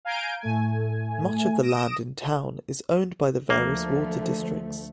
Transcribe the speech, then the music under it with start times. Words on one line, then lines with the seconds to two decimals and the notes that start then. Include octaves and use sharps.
Much of the land in town is owned by the various water districts.
0.05 F5 G#5 A#5 G6 G#6 D7
0.41 A2 A3 G#5
1.62 D#6 A#6 D7 E7
3.50 D2 F3 A3 A#3